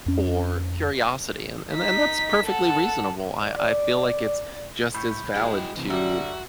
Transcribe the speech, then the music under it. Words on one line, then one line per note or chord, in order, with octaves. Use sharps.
or curiosity and and then that's perfectly reasonable, I I feel like it's just as valid to,
F2 C#4
D#4 B6
A4 F#5
D5
A2 B5 G6
G#3 E4 F#4 G5
C3 E3
D3 G3 F#4 E5 A#5 E6